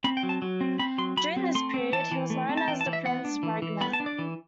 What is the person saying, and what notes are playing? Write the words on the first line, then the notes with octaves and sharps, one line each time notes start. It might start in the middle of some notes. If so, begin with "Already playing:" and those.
During this period, he was known as "the Prince Regent".
C4 B5
G5
F#3
A5
F#3
C4
C4 B5
F#3 C6
F#3 B5
C4
A3 C6
C4
E3 A5
E3
A3
C4
A5
E3 G5
A5
E3
E5
B3 F#5
D4
E3
E3
B3 B5
A5
D4
D5
E3